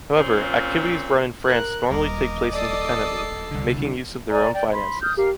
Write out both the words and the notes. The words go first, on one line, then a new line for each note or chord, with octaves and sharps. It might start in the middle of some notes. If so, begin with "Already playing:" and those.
However, activities run in France normally take place independently, making use of their own finances.
A#2 C4 C#4 F4
A#4 F#6
D#1 A#4 D#5 D6
A4 D5 D#6 C7
C2 D3
D5 G#5 A#5
D5 G5
B5 C6
D#6 F6 G6
G4 A#4 F5